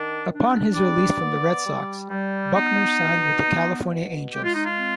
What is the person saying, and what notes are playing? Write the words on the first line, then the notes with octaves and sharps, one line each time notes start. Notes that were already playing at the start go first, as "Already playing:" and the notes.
Upon his release from the Red Sox, Buckner signed with the California Angels.
Already playing: D#3 D4
D4
G3 D5
B3
G3
G3
B3 D#4
B2
B3
B2
G#3 G4
F4
D#4
F4
C4